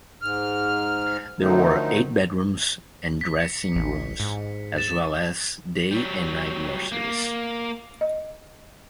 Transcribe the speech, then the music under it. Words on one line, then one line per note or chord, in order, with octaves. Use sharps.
There were eight bedrooms and dressing rooms as well as day and night nurseries.
G#2 F6
D3 D#3 F3 F#3 A3 D#4
B6
C#7
A1
G#2
A6 E7
F#3 G3
A#3
D#5